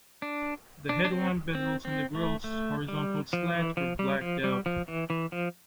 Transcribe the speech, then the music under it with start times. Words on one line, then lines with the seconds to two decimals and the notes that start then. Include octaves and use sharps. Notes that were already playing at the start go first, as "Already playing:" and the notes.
The headlamp bezels and the grille's horizontal slats were blacked-out.
0.22 D4
0.89 D4
1.05 D4
1.11 C4
1.55 C4
1.85 C4
2.15 A3
2.44 A3
2.88 G3
3.33 F3
3.55 E3
3.77 F3
3.99 G3
4.21 F3
4.44 G3
4.66 F3
4.88 E3
5.10 E3
5.32 F3